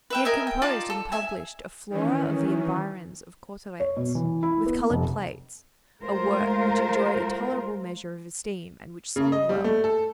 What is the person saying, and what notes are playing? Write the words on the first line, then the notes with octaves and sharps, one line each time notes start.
He had composed and published a Flora of the Environs of Cauteretz, with colored plates, a work which enjoyed a tolerable measure of esteem and which sold well.
B4 E5 G5
A#4 D#5 E5 G#5
G5
D#4 F4 D5 A5
A4
E5 G#5
D#3 E3 C#4
C#5
B2
E3
E4
B3
F1
G#3 A3 F4 A#4 C5
C#3
D#5
G3
A3
A4